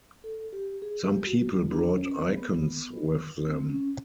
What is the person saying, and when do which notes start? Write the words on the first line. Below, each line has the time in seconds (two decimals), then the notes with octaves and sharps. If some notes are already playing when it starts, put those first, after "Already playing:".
Some people brought icons with them.
0.24 A4
0.53 G4
0.82 G#4
1.04 G4
1.26 F#4
1.48 F4
1.70 D4
1.93 C#4
2.15 C4
2.37 B3
3.48 C4
3.70 C#4